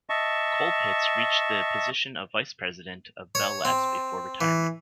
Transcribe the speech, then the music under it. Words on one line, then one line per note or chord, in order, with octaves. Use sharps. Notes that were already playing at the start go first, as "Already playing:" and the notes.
Colpitts reached the position of vice-president of Bell Labs before retirement.
D#5 E5 A5 C#6
C#5
C4
E3